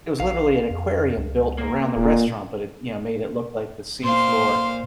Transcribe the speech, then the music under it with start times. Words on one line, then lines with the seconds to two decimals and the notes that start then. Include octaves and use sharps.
it was literally an aquarium built around the restaurant, but it, you know, made it look like the seafloor.
0.20 A#1 F5
0.71 F2
1.17 C#2
1.58 A#3
1.96 D#1 A#2
4.03 A#2 C5 F5 C6